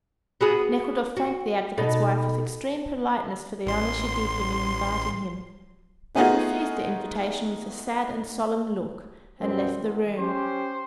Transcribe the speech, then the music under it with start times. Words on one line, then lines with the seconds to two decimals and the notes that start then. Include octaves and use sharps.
Nekhludoff thanked the advocate's wife with extreme politeness for the honour she did him in inviting him, but refused the invitation with a sad and solemn look, and left the room.
0.41 B3 F#4 G#4
1.17 F#4
1.78 B2 D#4 A4
3.66 A1 C6
6.15 A3 B3 D#4 F4 F#4 G#4
9.41 F#2 B2 C4
9.79 E2
10.18 C#4 G4 C5